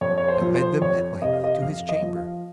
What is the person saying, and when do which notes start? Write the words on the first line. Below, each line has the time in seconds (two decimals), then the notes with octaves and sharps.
I led them, at length, to his chamber.
0.01 F2 C#5
0.18 C#5
0.28 C5
0.42 F3
0.55 C5
0.81 F2 C#5
1.22 C3 D#5
1.33 F5
1.44 D#5
1.62 F2 F5
1.89 D#5
2.02 F3
2.15 F5